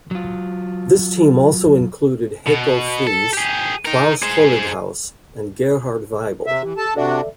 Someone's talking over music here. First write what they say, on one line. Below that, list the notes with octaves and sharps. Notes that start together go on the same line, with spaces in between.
This team also included Heiko Fries, Klaus Holighaus and Gerhard Waibel.
F#3 F4
B2
A4
G4 G#4
D#4 A#4
G#4 C5
C3 E5
E3 G4
A4 A5
C3 D4 F#4 A4 D5 E5